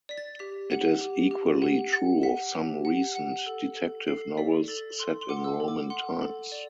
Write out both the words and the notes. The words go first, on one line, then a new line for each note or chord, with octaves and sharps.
It is equally true of some recent detective novels set in Roman times.
D5 B6
A6
G4 B6
F#5
G4
G4
F#5
F#5
F#5 B6
G4
F#5
F#5
A4
A4
A4 C7
D5 B6
A4 A6
A4 C6
C6
F#5 D6
C6
E6
A4
D6
F#5 C6
A4
D5